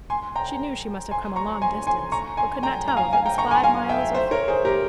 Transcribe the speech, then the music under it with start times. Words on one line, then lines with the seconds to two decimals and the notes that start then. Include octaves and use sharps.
She knew she must have come a long distance, but could not tell if it was five miles or fifty.
0.10 G#5 C6
0.36 G5 A#5
1.11 G#5 C6
1.36 A#5 C#6
1.62 G#5 C6
1.87 G#5 C6
2.12 A#5 C#6
2.37 G#5 C6
2.63 G5 A#5
2.88 A#5
2.97 F5 G#5
3.13 F5 G#5
3.26 G5 A#5
3.38 A#5 C#6
3.51 G#5 C6
3.64 F5 G#5
3.89 E5 G5
4.14 C5 E5
4.31 A#4 C#5
4.48 G#4 C5
4.65 G4 A#4